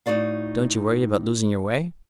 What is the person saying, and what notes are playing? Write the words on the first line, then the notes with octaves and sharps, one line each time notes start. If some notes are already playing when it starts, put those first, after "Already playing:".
"Don't you worry about losing your way?"
A2 D#4 F#4 D5 F5